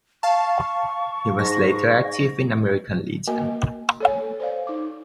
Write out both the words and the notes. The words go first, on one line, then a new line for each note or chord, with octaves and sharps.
He was later active in the American Legion.
F5 A5 C#6
G#2 A#6
A#3 F#4 A#4 D#5 G#5
A4 C#5 G#5
C5 D5 F5
D#4 D6